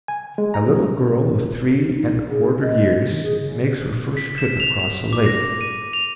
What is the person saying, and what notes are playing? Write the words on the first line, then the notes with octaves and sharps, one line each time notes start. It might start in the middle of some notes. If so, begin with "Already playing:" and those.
A little girl of three and a quarter years makes her first trip across a lake.
G#5
G#3
A#5
F#3
D#4
G#4
D#5
D#3
G#4
C#3
B6
E7
F7
F7
D6
A#6
D#7
F7